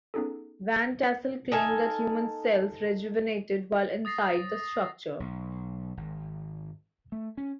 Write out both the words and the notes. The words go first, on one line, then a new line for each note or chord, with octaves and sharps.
Van Tassel claimed that human cells "rejuvenated" while inside the structure.
B3 C#4 D#4 G#4 A4
D#4 A4 F5 G#5
D#6 A6 A#6 C7
B1
G#1
A3
C#4